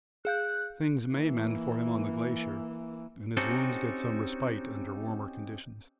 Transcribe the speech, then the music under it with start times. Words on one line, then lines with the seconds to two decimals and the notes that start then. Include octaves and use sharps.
Things may mend for him on the glacier, and his wounds get some respite under warmer conditions.
0.25 G#4 F5 F#6 G6
1.12 E3 A#3
3.37 C4 C#4 D#4 F#4 G4 A4